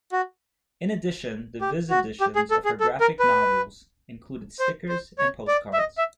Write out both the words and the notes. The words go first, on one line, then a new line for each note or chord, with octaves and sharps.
In addition, the Viz editions of her graphic novels include stickers and postcards.
F#4
G4
F#4
G4
G#4
A4
G#4
A4
A#4
B4
C5
C5
C#5
D5
E5
D#5
E5